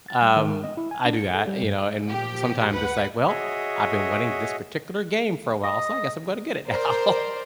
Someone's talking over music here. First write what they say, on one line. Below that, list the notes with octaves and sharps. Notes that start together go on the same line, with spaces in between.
Um. I do that, you know, and sometimes it's like, "Well, I've been wanting this particular game for a while so I guess I'm gonna get it now."
A6
G3
D#3
A#4
D#5
E4
G#5
D4
C#7
A4
G3
G2
A#2 F3 G4
D2 B4 F#5
F#4 G#4 C#5 D#5 E5
D#5
A#4 C5 D5